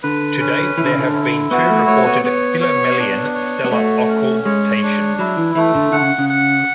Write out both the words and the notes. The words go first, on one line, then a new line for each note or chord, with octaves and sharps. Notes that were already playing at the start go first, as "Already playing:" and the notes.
To date there have been two reported Philomelian stellar occultations.
D3 B4
C#4
E3 E4
D3
C#3
D3
E4
B3 F#4
A3
A3 C#5
B3
B3 C#5
C#5
D4
C#5
B3
A3 F#4
C#4
G#3 C#5
D4
F#3 E4
E3
E3 A3
D3
D3 F#5
C#3
C#3
F#5